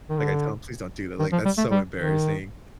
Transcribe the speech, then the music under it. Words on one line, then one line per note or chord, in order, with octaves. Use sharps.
Like, I tell him, "Please don't do that. Like, that's so embarrassing."
D#3
D3
D#3
F3
G3
A3
G3
D#3